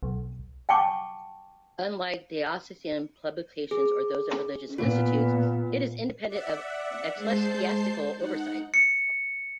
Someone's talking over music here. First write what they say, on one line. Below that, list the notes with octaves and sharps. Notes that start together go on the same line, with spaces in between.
Unlike diocesan publications or those of religious institutes, it is independent of ecclesiastical oversight.
B1
F#5 G5 A5 C#6 D6
G#4
A#2 B3 F4
D5 E5 F#5
G#3 C5 A5 G6 C7
D#4 F#5
C#7